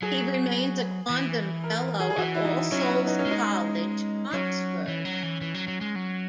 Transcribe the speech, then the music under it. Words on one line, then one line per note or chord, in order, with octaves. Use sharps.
He remains a Quondam Fellow of All Souls College, Oxford.
F#3 G#4
E3
A#4
G#4
G#4
E3 F#4
E4
D#4
F#3 C#4
B3
D#4
C#4
G#3
D#4
F#3 C#4
E3
F#3
E3
E3
F#3
F#3
G#3
F#3